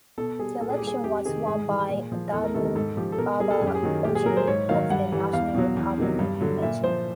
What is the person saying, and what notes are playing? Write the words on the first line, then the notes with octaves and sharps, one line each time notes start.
The election was won by Adamu Baba Augie of the National Republican Convention.
B2 A4
G3 G#4
A#2 A4
G#4
G4
G3
G#4
F2 G4
C3 D#3 G#4
G#2 G#4
E3 G3
A#2
F3
E2 A4
A#4
C3 D#3 G3 A4
A#4
G#2 A4
F3 G4
A4
B2 A#4
G3 G#4
A4
F#2 G#4
G4
G#4
D#3 F#3
A#2 G4
G#4
F#3 A#4
C5
G#2 C#5
D#3 F#3 F5
G2 F#5
E3 G3
E2 F5
B2 F#3
E2
C3 D#3 F#3
G2
D3 F#3
A#2 E5
F3 C5